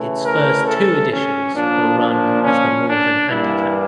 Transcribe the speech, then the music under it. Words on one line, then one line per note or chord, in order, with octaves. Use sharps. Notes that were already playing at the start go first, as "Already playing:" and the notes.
Its first two editions were run as the Morven Handicap.
Already playing: C#3 E3 A3
A#4
A4
C#4
A#2 F3 A#3 D4
D4
C#4
D4
G2 E3 A#3 E4